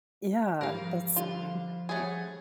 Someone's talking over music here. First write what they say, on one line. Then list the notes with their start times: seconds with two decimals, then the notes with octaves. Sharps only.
Yeah, that's interesting.
0.61 G#2 G3 A#4 F5
0.81 F3
1.16 D3 G3 F4
1.89 G3 A3 G#4 C#5 F#5